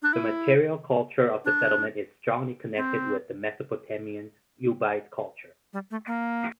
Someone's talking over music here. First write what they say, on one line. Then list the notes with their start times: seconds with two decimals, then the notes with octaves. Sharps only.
The material culture of the settlement is strongly connected with the Mesopotamian Ubaid Culture.
0.02 D4
0.13 E4
1.45 D4
2.77 C4
5.73 G3
5.91 A3
6.07 A#3